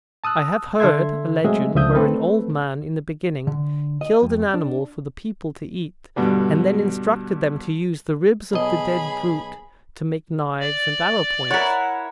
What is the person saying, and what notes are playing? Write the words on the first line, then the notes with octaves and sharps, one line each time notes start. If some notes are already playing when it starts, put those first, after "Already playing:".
I have heard a legend wherein OLD-man, in the beginning, killed an animal for the people to eat, and then instructed them to use the ribs of the dead brute to make knives and arrow-points.
A5 D#6 E6 F#6
D3 A4 E5 C6 G#6
F#3 G#3 A3 C4 D#5 E5
C#2 D3 F3 E5 D#6 G6
A3 C4 A4 B4
D3
D#5
F2
D4
G2 B2 D3 G3
B1 G#4 D#5 B5
D5
E4 A#4 C#5 F#5